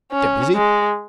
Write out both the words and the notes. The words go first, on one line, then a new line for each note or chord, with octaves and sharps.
"Get busy."
C#4
G#3